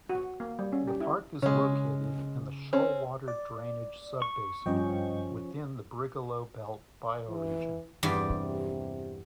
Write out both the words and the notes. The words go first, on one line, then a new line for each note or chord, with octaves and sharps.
The park is located in the Shoalwater drainage sub-basin within the Brigalow Belt bioregion.
F#4
A#3
G3
C#4
G4
E4
C#3 G#3 C#4
C4 C#4
D5
C#6
G2 F3 C#4 D#5 G5
E3
E2 G2 C3 D5